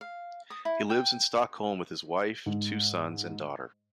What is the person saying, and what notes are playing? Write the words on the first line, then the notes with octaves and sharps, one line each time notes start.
He lives in Stockholm with his wife, two sons and daughter.
F5
D#6
E4
G5
G#2